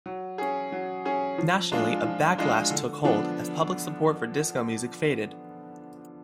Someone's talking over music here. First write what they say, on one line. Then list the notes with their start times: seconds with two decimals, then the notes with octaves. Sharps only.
Nationally, a "backlash" took hold, as public support for disco music faded.
0.06 F#3
0.38 C#4 G#4
0.72 F#3
1.05 C#4 G#4
1.38 F3
1.72 G#3 D4 F4
2.04 F3
2.38 G#3 D4 F4
2.70 D3
3.04 F3 B3 D4